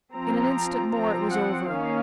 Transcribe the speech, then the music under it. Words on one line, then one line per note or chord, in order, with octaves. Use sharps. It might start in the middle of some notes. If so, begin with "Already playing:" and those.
In an instant more it was over.
F3 C4 A#5
F3 C4 A#5
F#5
D#3 A#3 C#4 F5